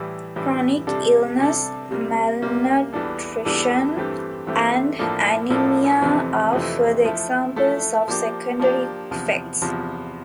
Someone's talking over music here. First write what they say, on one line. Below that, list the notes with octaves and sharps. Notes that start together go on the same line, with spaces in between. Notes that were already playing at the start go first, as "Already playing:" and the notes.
Chronic illness, malnutrition, and anemia are further examples of secondary effects.
Already playing: A2 E3 G3
A2 E3 G3
C3 G3 D4 A4
C3 G3 D4 A4
C3 G3 A#3
C3 G3 A#3
E2 E3 G3 D4 A4
E2 E3 G3 D4 A4
G2 E3 A3 C4 G4
G2 E3 A3 C4 G4
A2 F3 A#3 D4 A4
A2 F3 A#3 D4 A4
F2 C3 E3 A3 C4
F2 C3 E3 A3 C4
F3 A3 E4 A4
F3 A3 E4 A4
F3 A#3 D4 G4
F3 A#3 D4 G4
E2 C3 F3
E2 C3 F3